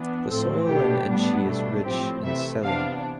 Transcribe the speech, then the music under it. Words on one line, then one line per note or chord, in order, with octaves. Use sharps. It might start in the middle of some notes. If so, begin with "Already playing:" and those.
The soil in Enshi is rich in selenium.
Already playing: E3 B3 D4
A2 F3 C4 A4
B2 A3 D4 G4
A2 G3 B3 D4
B2 A3 D4
A2 F3 C4 G4
C3 E3 A3 E5
C3 E3 B3 D4 F5